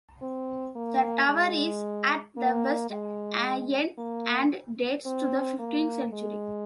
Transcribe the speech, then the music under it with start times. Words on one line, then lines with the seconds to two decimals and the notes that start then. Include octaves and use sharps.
The tower is at the west end and dates to the fifteenth century.
0.22 C4
0.76 A#3
1.29 G#3
2.37 A#3
2.90 G#3
3.98 A#3
5.06 C4
5.59 A#3
6.13 G#3